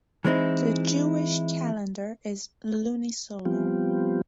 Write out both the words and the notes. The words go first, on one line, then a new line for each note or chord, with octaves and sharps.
The Jewish calendar is lunisolar.
E3 G#3 C4 D#4 E4
F3 G3 B3 C4 F4 G4